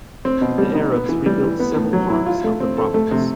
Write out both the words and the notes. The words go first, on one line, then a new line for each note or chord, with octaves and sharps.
The Arabs rebuilt several parts of the province.
C4
B2
G3
D#4
B3
E3
G3
E3
B3
A2
F#3
E4
F4
A3
C4
A4
A3
C3